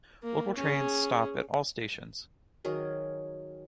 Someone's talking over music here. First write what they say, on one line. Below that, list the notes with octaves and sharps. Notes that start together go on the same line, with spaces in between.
Local trains stop at all stations.
A#3
C#4 G#4
D#3 F#3 G#4 A#4